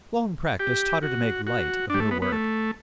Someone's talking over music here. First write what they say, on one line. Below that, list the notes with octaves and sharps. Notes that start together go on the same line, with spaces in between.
Long practice taught her to make light of her work.
G4
F#4
F#4
G3 D4
A3
B3
B3
A3